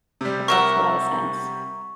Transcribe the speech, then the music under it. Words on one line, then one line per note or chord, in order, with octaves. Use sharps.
That makes a lotta sense.
C3 G3
A#4 E5 F#5 C#6